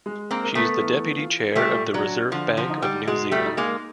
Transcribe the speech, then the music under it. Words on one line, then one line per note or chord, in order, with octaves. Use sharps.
She is the deputy chair of the Reserve Bank of New Zealand.
G#3
A#3 C4
A#4
A3 B3
E3
F4
A#2 G3 A3
F#3 D4
D3 F3
F3
D#4
G3
B2 G#3
G3 A3
D#4
G#3 A#3